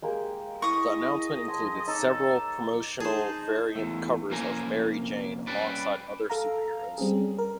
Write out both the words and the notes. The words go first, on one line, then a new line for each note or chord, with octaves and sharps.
The announcement included several promotional variant covers of Mary Jane alongside other superheroes.
G#3 A#3 G4
E4 D#5 C#6 D#6
G#5 A5 C6
D#4 A4 C#5 D6
D#4 G#4 C5 A5
E2 A3
F2 C3 A#3 C#4 G#5 A#5
G3 C#4 B4 D5
A4 F5 A#5
G3 C4 C#4 G#4
A#4